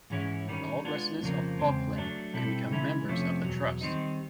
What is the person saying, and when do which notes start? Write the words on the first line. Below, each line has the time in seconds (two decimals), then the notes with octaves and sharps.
All residents of Falkland can become members of the trust.
0.10 G#2 E3 G#3 C#4 E4
0.48 D#3 G3 A#3 C#4
0.85 G#3 B3 D4 F4
1.22 F2 C#3 F3 A#3
1.59 E2 C#3 G#3 C4
1.96 F#3 A3 D4
2.33 B2 G3 C4 E4 A4
2.70 C#3 E3 G#3 C#4 E4
3.08 F2 C3 F3 A3 C#4
3.44 E2 B2 F#3
3.81 D#3 G3 C4 D#4